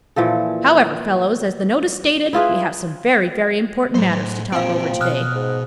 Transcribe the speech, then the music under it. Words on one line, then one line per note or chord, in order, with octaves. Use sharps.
However, fellows, as the notice stated, we have some very, very important matters to talk over to-day.
A#2 E3 F3 A4
E4 F4 G#4 B4
A2 F#3 C5
A#2 F3 C4 F5 G5 D7
B2 D#6 F6 F#6
G#2